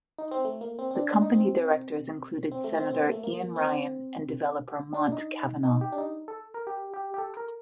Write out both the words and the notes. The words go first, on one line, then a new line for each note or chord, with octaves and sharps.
The company directors included Senator Eoin Ryan and developer Mont Kavanagh.
D#4
C4
A3
A#3
C4
C4
D4
D4
D#4
C4
C4
A3
C4
C4
A#3
A3
A#3
C4
D4
D#4
D#4
G4
D4
D#4
A4
A#4
G4
G4
G4
A4
A#4